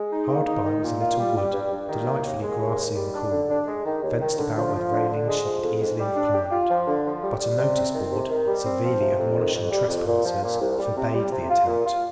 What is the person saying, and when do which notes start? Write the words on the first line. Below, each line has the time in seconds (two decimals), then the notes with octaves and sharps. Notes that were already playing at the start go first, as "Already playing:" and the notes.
Hard by was a little wood, delightfully grassy and cool, fenced about with railings she could easily have climbed; but a notice-board, severely admonishing trespassers, forbade the attempt.
Already playing: G#3
0.12 D#4
0.29 A#3
0.47 D#4
0.64 D#3
0.83 A#2
1.01 F4
1.18 G3
1.36 G3
1.53 G2
1.72 G2
1.89 D#3
2.07 A#3
2.25 D#2
2.42 G#3
2.60 D#2
2.78 D#2
2.96 G3
3.14 D4
3.32 D3
3.49 D4
3.67 G#3
3.85 D#3
4.03 D#2
4.20 D#3
4.38 D3
4.56 F3
4.73 F3
4.91 D3
5.09 D3
5.27 G#3
5.45 F3
5.63 F2
5.80 G#2
5.98 G3
6.16 D4
6.34 G4
6.51 F4
6.69 F3
6.87 D3
7.05 F3
7.23 G3
7.41 G3
7.58 C3
7.76 C4
7.94 D#3
8.11 C3
8.29 D#3
8.47 G3
8.65 C4
8.82 F3
9.00 C3
9.18 F2
9.36 D#3
9.54 F2
9.71 G3
9.89 F2
10.07 A#2
10.25 F3
10.43 A#2
10.60 C2
10.79 G3
10.96 C3
11.14 G3
11.32 C3
11.49 F4
11.67 A#2
11.85 F4